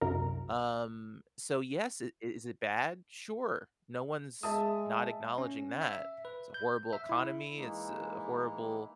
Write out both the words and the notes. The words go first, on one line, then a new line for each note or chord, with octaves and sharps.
Um, so yes, i is it bad? Sure, no one's not acknowledging that. It's a horrible economy, it's a horrible,
C2 F#2 A#4
G#3 E5 A5 D#6
C#4
E5
B4
G6
E5
E4
E3 G#3 A#3 D#4 E4